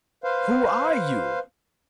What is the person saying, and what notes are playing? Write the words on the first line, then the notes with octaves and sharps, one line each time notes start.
"Who are you?"
B4 C5 F5